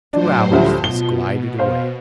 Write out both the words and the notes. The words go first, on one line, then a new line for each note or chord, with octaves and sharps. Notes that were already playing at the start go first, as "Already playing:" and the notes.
Two hours thus glided away.
A2 F#3 D4 C5
D2 F3 G3
B2 G7
C5 F5